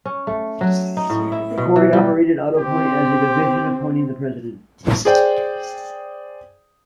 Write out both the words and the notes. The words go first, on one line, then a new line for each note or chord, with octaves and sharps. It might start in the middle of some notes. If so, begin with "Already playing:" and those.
Cory operated Autopoint as a division appointing the president.
C#4
A3
F#3
D#4
A2
E4
B2
E3
G3
C4 G4
G#4 C5 D5 G5